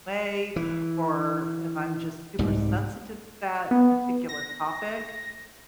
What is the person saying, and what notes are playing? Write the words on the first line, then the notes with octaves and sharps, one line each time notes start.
away, or if I'm just super sensitive to that particular topic,
E3
C2 G#2 G3
B3
A#6